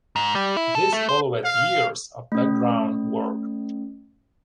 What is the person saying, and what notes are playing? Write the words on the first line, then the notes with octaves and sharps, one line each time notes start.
This followed years of background work.
G#2
G3
E4
A4
A3
C5
F5
A3 C#4